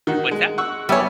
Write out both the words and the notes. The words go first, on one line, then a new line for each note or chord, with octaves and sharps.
What's that?
D#3 F#4
G#3
F#5 C#6 E6
G3 B3 C#5 E5 G#5